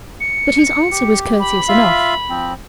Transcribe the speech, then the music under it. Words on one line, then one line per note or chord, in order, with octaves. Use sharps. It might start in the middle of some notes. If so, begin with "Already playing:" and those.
But his answer was courteous enough.
C#7
G4
B5
F4 E5 F5
F3 C4